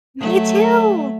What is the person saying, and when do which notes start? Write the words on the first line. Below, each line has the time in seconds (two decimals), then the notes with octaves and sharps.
Me too.
0.20 F#3 A3